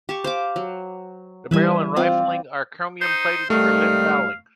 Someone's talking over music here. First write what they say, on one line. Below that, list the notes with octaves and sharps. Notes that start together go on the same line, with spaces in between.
The barrel and rifling are chromium-plated to prevent fouling.
G4 A5 C#6
C5 F5 D6
F#3
E3 G3 B4 E5 G#5
C4 F4 D5
D#4 C5
G#2 C3 D#3 G3 A3 F5